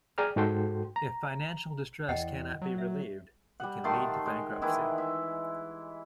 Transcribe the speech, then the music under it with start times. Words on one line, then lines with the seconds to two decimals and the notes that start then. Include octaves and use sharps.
If financial distress cannot be relieved, it can lead to bankruptcy.
0.18 G#4 D5 G5 A#5 D#6 F6
0.36 G#2 F#4 A4 G5 C6
0.96 A#5
2.09 E2 D#5 F#5 G5
2.62 F#3
2.78 E5
3.60 G3 F#5
3.84 D#3 A3 A5 C6
4.26 G#3
4.62 D#3 E3 E4
4.98 E5